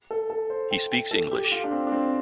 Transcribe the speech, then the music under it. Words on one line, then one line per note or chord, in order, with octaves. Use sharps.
He speaks English.
A4
A4
C5
G5
G5
A4
G4
G4
F4
D4
C4
D4
C4